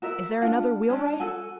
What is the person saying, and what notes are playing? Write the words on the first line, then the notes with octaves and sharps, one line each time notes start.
"Is there another wheelwright?"
F#4 A#4 E5
D4 F4 F#5
C#4 D4
F#4 A4 F#5 G#5